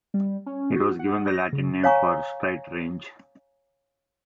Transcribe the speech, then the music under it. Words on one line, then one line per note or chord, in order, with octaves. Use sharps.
It was given the Latin name for "Straight Range".
G3
C#4
F#4
F#5
A#6
C#3
C#5 F5 G#5 A#5 C#6